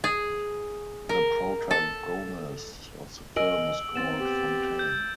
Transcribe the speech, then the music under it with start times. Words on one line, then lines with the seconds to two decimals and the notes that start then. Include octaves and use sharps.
The protagonist of the film is called Fontaine.
0.04 G#4
1.09 A#4
1.71 A4
3.36 A#4 D#5 G#5 E6 D7 F#7
3.95 B3 C4 A6 E7
4.19 G4
4.79 G6